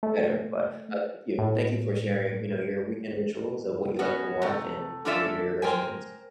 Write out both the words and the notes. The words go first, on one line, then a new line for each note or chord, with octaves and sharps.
better. But, uh, thank you. Thank you for sharing, you know, your weekend rituals of what you like to watch and and, you know, your regimens.
A3
A2
B3 C#4 F#4
C3 A3
D3 C#4 F4 A4 D5 E5
A#4 C5 G5 G#5